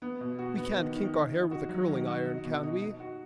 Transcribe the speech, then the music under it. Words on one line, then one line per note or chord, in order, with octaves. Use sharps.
We can't kink our hair with a curling-iron, can we?
B3
B2
F#4
B3
D#3
D#3
D#3
D#4
F#4
F#3
D#3
F#4
D#4
B2
D#4
D#4
F#4